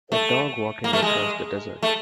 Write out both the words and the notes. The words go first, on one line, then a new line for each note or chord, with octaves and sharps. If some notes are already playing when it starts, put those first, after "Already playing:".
A dog walking across the desert.
A3
A#3
A3
G#3
A3